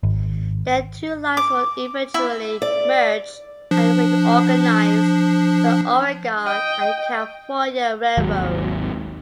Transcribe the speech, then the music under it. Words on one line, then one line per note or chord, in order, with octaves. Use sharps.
The two lines would eventually merge and reorganize as the Oregon and California Railroad.
G#1
D6
E4
D5
F3 D4
D#5 G5
G#1 D#2 F#3